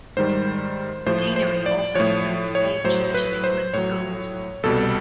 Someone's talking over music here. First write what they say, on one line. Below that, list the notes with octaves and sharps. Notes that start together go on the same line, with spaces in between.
The deanery also includes eight Church of England schools.
G#2 D#3 G3 C5
A2 F3 C5
C5
D5
A2 F3 C#5
C#5
A2 F#3 C5
B4
C5
A2 F#3 C#5
C2 B2 G3 A4